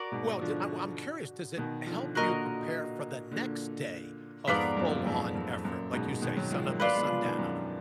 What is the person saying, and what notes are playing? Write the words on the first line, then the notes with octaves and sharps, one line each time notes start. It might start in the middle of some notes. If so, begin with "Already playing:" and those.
Well, j I'm I'm curious, does it help you prepare for the next day of full-on effort? Like, you say, sun up the sundown.
Already playing: F#4 A#4 D5
G#2 B2
D3 F3
B2 D#3
D3 F3
A#2 D3 F#4 A#4 D#5
A#2 D3
F2 G#2 B3 F4 A#4 D5
F#2 A#2
F2 G#2
F2
F#2 A#2
G#2 B2
B2 D#3
D#3 F#3
F3 G#3
F#3 A#3
F#3 A#3 D4 F4 B4
G#3 B3
F3 G#3
B2 D#3
F#2